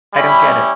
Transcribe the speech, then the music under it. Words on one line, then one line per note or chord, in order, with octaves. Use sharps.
I don't get it.
G3 C#4 E4 B5